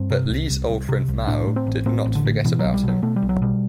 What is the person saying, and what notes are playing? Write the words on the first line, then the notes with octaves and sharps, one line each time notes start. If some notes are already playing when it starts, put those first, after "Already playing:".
But Li's old friend Mao did not forget about him.
Already playing: G2 C4
C3
C2
C2
C2
C3
C2
A2 D4
A2
C4
A1
A2 C4
A1
D3
A2
B2 E3
F#3
B1
G3
B2 F#3
B2 A3
G3
B1
F#3
B2 G3